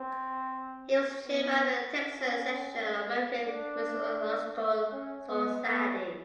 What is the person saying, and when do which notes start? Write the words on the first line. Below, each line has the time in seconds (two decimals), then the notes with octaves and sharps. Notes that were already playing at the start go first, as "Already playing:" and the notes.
He was chairman of the Texan section of the American Musicological Society.
Already playing: C4
1.26 B3
1.99 C#4
3.46 D4
4.92 C#4
5.29 B3
5.65 B3